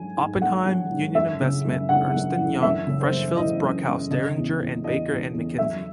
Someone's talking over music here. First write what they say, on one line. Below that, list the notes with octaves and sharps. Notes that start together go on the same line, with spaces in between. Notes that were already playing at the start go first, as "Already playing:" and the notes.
Oppenheim, Union Investment, Ernst and Young, Freshfields Bruckhaus Deringer and Baker and McKenzie.
Already playing: G#2 F#3 G#5
G#2
G#2 F#5
F#3
G#2
F#2 E5
C#3
F#2
C#3 F#5
F#2
E3
F#2 E5
C#3
C5
F#2
E3 D#5
F#2
F#2
C#3 D#5
E2
E2
E2 D#5
E2
E2
F#3 E5